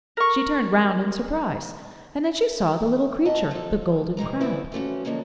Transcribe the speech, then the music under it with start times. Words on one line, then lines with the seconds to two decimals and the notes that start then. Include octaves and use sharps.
She turned round in surprise, and then she saw the little creature, the Golden Crab.
0.17 A#4 C#6
3.25 D#5 E5 F#5 A5 A#5
3.51 F3 A4
4.17 C3 E3 G#3 A#5
4.41 D3 E3 A3 B3 C4 E4
4.72 E3 F3 A3 C#4 F#4
5.05 D3 F3 F#3 G#3 A#3 C#4